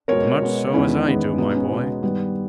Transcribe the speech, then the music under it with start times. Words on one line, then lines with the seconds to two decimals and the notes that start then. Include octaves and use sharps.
"As much so as I do, my boy!"
0.08 B2 G#3 B3 A#4 C#5
0.41 B2 G#3 B3
0.73 E2 D#3 G#3 B3 C#4 E4
1.06 E2 D#3 G#3 B3
1.38 B2 G#3 B3 D#4
1.54 C#4
1.70 B2 G#3 B3
2.03 G2 D#3 G3 B3